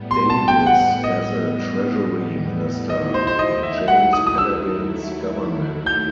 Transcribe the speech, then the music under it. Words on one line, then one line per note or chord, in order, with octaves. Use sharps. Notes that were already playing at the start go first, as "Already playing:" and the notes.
Davies as a Treasury Minister in James Callaghan's Government.
Already playing: A2 G3 B3
C6
A5
G5
F#5
D#5
D#2 D#3 F#3 A3 E4 D#5
C5
C5
D#5
E5
F#5
D#6
D#6
E6
G6